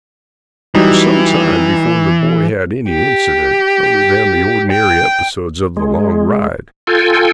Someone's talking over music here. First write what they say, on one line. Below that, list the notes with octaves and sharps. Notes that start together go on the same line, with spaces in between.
It was some time before the boy had any incident other than the ordinary episodes of the long ride.
E3 F#3 G3 D#4
G4
G5
G#3
F4 A4 G5 G#5